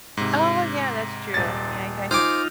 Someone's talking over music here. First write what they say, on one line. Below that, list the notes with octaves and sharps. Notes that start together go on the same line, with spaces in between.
Oh, yeah, that's true. Yeah, yeah,
G#2 C3
D#1 A6
D#4 F4 C5 G#5 D6 F6